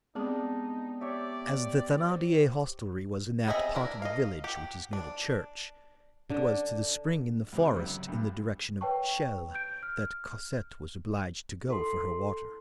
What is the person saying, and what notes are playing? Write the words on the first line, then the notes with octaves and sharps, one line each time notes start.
As the Thenardier hostelry was in that part of the village which is near the church, it was to the spring in the forest in the direction of Chelles that Cosette was obliged to go for her water.
G3 G#3 B3 C4 D4 D#4 G#4 D#6
G4 C#5 D5 E5
C5
B3 C4 G#4 D#5 E5
D4 E4 A#4
D#5 F5
G4 F#5
D4
D3 D4
C#2 C4 G4
C#2 F#2 D3
B1 G2
B4 C#5 G5 A5 C#6
G6 D7
F6
E4 A4 C6